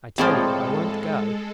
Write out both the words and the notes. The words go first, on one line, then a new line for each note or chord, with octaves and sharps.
"I tell you I won't go."
D#2 A2 F3 G#3 C4 G#4 A4 D5